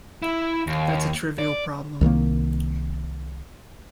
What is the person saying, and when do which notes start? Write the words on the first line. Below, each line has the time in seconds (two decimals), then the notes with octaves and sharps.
That's a trivial problem.
0.22 E4
0.67 D#2
1.39 D5
2.01 C2 D#3 F3 A#3